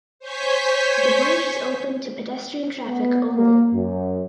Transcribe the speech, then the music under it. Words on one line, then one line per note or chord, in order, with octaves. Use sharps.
The bridge is open to pedestrian traffic only.
C5 C#5 G#5 C#6 G6 B6
B3
A#3
F#2